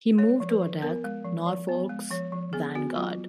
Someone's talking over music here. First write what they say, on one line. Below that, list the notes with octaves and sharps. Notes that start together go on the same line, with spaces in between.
He moved to attack Norfolk's vanguard.
G#3 C#5
F3
B4
F3
B3 A#4
G#3
F3
F3
B3
G#3
F3 C#5
F3
B3 G#4
B3 F#4
F#3 F4